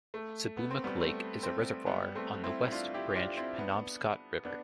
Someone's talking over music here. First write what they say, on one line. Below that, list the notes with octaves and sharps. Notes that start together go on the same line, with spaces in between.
Seboomook Lake is a reservoir on the West Branch Penobscot River.
A3
B3
C4
G3 B3
A3 C4
A3 C4
G3 B3
A3 C4
C4 E4
E4
D4 F4
E4 G4
G4
D4 F4
C4 E4
B3 D4
B3 D4